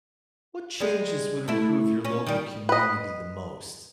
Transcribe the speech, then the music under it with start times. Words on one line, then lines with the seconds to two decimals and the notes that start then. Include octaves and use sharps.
What changes would improve your local community the most?
0.80 G3 G#3
1.48 A3 E4
2.05 C#4
2.26 D#3 G3
2.69 B4 D#5